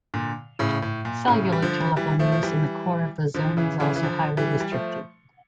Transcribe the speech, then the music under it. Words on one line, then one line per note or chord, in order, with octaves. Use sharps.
Cellular telephone use in the core of the zone is also highly restricted.
A#2 D3
A2 C#3
A2
A#2
A2 C#3
G3
D3 F3
E3 G3
F3 A3
F3
E3 G3
D3 F3
C#3 E3
C#3 E3
E3
D3 F3
E3 G3
G3
F3 A3